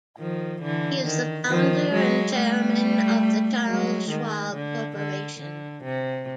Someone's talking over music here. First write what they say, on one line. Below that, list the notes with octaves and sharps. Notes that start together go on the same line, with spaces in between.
He is the founder and chairman of the Charles Schwab Corporation.
D#3 F3
D3 E3
D#3
D#3 F3
F#3 G#3
G3 A3
F#3 G#3
D#3
D3
D3
D3
C3